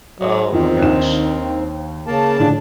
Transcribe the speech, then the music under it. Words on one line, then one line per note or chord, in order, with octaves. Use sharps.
Oh my gosh.
F#3
E2 D#3 C4 F4
D#2 D4 E7
C#3 A#3 A5
A2 D3 F3 D4